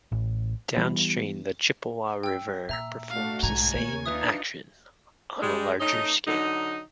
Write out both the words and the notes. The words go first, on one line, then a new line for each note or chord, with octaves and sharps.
Downstream the Chippewa River performs the same action on a larger scale.
A1
E3 G3 B3
G5 E6
A#2 E5 A#5 E6
A3 D4 F#4 F5
B1 G#2 G#5 A#5
D#2 A#3 A#4 C#5
D4 D#4 F4 B4 E5 D#6
G3 G#3
A3 C#4 D#4
D3 F#3 D#4